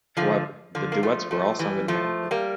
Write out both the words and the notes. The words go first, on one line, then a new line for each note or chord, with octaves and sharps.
However, the duets were all sung in Mandarin.
D3 F3
D3 F3
A#3
F3 A3
F3 A3
E3 G3
F3 A3
G3 A#3